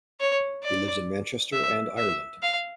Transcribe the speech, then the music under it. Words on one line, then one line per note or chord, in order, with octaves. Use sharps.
He lives in Manchester and Ireland.
C#5
D5
E5
E5
F5